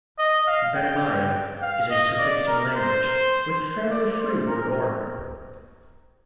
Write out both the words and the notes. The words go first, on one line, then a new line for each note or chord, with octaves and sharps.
Badimaya is a suffixing language with fairly free word order.
D#5
F5
G5
F5
D#5
D5
A#4
C5
D5
C5
A#4